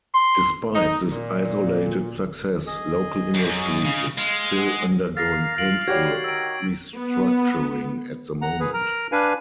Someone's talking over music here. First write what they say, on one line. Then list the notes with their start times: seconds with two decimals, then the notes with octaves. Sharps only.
Despite this isolated success, local industry is still undergoing painful restructuring at the moment.
0.14 C6
0.75 D#4
1.12 A#2
2.67 G#4 D#5
3.34 F#2
3.85 C#3
4.18 G#3 F5
4.57 G#4 F#5
5.17 A#3 F5 A6 A#6 C7
5.58 F4 D7 F#7
5.88 G3 F#4 G4 C#5 G#6
6.24 D#3 E6 D7
6.97 B3
8.42 F#5 A#5
8.60 G#4 B4
8.74 A#4 A#5
9.12 D4 B4 F5 G#5